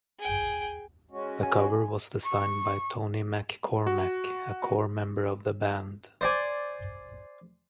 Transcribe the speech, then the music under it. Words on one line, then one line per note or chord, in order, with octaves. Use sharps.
The cover was designed by Tony McKormack, a core member of the band.
G#4 G5
G#3 C#4 F#4
G#5
C#6
F#4
C5 D5 G#5